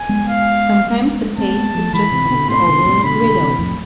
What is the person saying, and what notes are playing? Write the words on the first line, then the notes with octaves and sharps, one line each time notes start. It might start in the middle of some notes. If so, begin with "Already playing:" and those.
Sometimes the paste is just cooked over a griddle.
Already playing: G#5
G#3 B3
F5
A3 C4 A5
G#3 B3
F3 A3
E3 G#3 B5
C3 E3
E3
B2 D3
A2 C3 C6
C3
B2 D3
A2 C3
B2 D3 B5
B2 D3
C3 E3
F2 A2